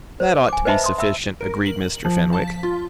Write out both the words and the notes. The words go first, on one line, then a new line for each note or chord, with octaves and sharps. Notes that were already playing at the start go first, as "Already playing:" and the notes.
"That ought to be sufficient," agreed Mr. Fenwick.
C5
G#5 D6
B4 C5 D#5 E5 A5 B5
C6 D#6
E5 B5 E6
A#4
F#7
F3
A5
B6
F4